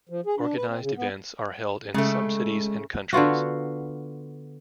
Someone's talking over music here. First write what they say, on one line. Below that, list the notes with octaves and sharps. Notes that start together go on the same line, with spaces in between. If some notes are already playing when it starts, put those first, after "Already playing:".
Organized events are held in some cities and countries.
F3
G#4
D4
B4
C4
C#3
B3
C#3 G#3 A3
D3 B3 F4 F#4